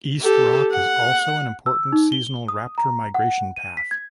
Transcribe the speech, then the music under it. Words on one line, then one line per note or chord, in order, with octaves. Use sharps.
East Rock is also an important seasonal raptor migration path.
G4 A4
F#5
E6
D#4
G7
D#6
A#5
F#5
D#7
B6
G#6